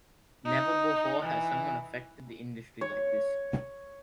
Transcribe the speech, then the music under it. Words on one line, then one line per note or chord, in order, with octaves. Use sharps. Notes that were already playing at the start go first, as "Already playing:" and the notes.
Never before has someone affected the industry like this.
D#4
E3
C#5